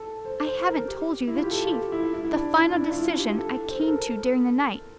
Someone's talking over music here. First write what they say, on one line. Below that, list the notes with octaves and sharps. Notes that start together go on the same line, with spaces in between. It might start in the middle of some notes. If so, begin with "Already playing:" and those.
I haven't told you the chief, the final decision I came to during the night.
Already playing: A4
C5
C5
A#4
G4
E4
F4
G4
A4
F4
G4
E4
E4
E4
D4
E4
E4
D4
F4
E4
G4
A4
C5
A#4
A4
A#4